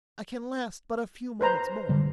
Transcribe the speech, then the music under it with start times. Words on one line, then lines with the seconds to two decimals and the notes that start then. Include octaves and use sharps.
I can last but a few moments more.
1.41 B4 C5 A#5
1.89 D3 G3